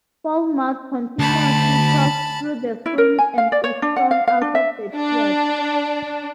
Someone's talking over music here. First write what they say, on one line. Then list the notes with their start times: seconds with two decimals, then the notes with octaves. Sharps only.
Fowlmouth continuously talks through the film and is thrown out of the theater.
1.19 D2 A5 B5
2.86 E4
2.98 A#4
3.18 G#5
3.38 F5
3.52 D5
3.64 C#5
3.82 D4
3.96 F#5
4.11 F5
4.28 F5
4.41 D4
4.55 E5
4.95 D4